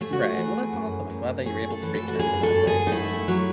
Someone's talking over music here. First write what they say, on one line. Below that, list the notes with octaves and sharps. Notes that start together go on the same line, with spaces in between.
Right. Well, that's awesome. I'm glad that you're able to reconnect in that way.
A3 G#4
F#4
G#4
E3
F#2
F#2
A3 G#4
A4
E3
A4
F#4
F#2 G#4
A4
F#2
G#4
D#4
A3 E4
F#3